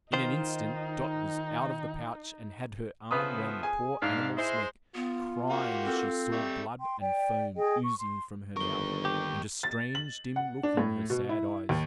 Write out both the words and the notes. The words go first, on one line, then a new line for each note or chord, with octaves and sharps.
In an instant Dot was out of the pouch and had her arm round the poor animal's neck, crying, as she saw blood and foam oozing from her mouth, and a strange dim look in her sad eyes.
D#3 D#4 F4 C5
C#3 F3 A3 B3 B4 D#6
G#4 G#5
G#2 D4 E5 F5
G#3 E4 C5
B3 F4
A#3 F#4 G4
C4 A4
G3 A3
G5 C6
D5 G5
G#4 D#5 G5
C#6
C6
G1 D#2 A#4 C#6 G7
G4
A6
F#7
F#5
D4
A2
B2
E4
D#2